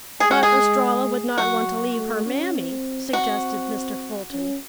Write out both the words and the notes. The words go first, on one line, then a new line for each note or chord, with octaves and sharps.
"But Estralla would not want to leave her mammy," suggested Mr. Fulton.
G#3 G#4
F#4
G#4
F#3 F#4
A3
C#4
C4
C4 F#4
C#4